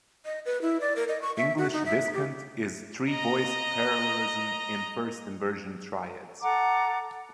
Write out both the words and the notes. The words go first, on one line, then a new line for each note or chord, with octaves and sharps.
English discant is three-voice parallelism in first-inversion triads.
D#5
B4
E4
D5
A#4
D#5
C#6
E5
F#4
D#4
E5
G4
D#5 A#5
A4 F#5 A#5 D6